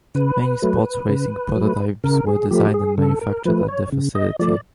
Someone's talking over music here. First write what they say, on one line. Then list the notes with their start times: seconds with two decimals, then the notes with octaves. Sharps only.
Many sports racing prototypes were designed and manufactured at their facility.
0.15 C#3 B4
0.62 F#3 A3
1.09 C#3
1.56 F#3 A3
2.04 C#3 A#4
2.27 G#4
2.51 F3 A3 G4
2.74 G#4
2.98 C#3 A4
3.21 A#4
3.45 F3 A3 B4
3.68 C#5
3.92 C#3
4.15 D#5
4.39 F3 A3 D5